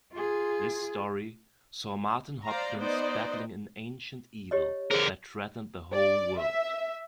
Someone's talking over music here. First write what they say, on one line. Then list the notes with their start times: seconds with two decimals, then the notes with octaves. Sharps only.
This story saw Martin Hopkins battling an ancient evil that threatened the whole world.
0.13 F4 G#4
2.46 C5 D5 F5 A#5
2.77 B3 D#4 C5 D5 D#5
4.51 G4 C#5 D#5
4.91 D3 G#4 A#4 C5
5.93 D5
6.39 E5